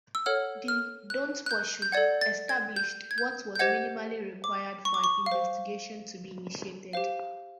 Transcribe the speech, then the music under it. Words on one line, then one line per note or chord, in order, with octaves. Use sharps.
The "Don't Pursue" established what was minimally required for an investigation to be initiated.
E6
A4 C#5 F#5 F6
F6
F#6
F#6
G6
G6
A4 D5 F#5 G#6
A6
G#6
G6
G#6
G6
G6
G4 C5 D#5 F#5 G#6
D6
C#6
D6
C#6
F5
C5
G4 C5 F5